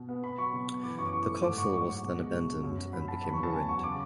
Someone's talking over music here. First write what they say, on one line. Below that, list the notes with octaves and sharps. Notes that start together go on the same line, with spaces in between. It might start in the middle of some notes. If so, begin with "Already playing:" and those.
The castle was then abandoned and became ruined.
Already playing: B2
B3
B3 B5
F#3 C#6
B2
B3
E3 D6
F#2 C#6
D6
E4 C#6
A3
G#2 D6
G#2 C#6
F#3 C#6
G#2
B2
G#3
B2
B2
F#2
F#3
F#3 B5
F#3 A5
E2 B5
C#6
C#3
A5
E2 G#5
F#3 C#6
C#3 D6